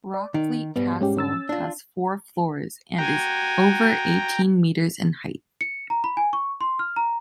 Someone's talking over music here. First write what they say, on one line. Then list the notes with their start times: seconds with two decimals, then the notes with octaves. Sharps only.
Rockfleet Castle has four floors and is over eighteen metres in height.
0.14 D5
0.34 D#3 D#4
0.76 B1 G#2 G3 B3
1.01 G#3 C#4 G4
1.17 C#4 E6 A6
1.49 D4 F4
2.98 F#4 G5 G#5 A#5
5.61 C#7
5.90 A#5
6.04 B5
6.17 G#5
6.33 C#6
6.61 C6
6.79 F6
6.96 A#5